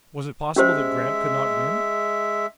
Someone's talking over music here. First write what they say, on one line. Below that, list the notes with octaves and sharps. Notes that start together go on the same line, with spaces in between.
Was it possible that Grant could not win?
G#3 C#4 G4 C5 E5